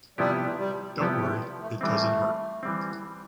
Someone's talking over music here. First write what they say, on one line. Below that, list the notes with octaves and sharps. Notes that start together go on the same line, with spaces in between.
Don't worry, it doesn't hurt.
C3 F3 G3 B3 E4 G4
G3
C3 F3 G3 B3 E4 G4
A3
B3
A3
E3 G3 A3 C4
E3 G3 C4